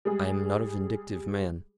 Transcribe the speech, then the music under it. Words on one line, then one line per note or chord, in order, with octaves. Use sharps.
I am not a vindictive man.
G3 G#3 G#4